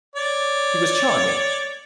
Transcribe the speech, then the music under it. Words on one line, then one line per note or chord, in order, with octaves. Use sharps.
She was charming.
C#5 D5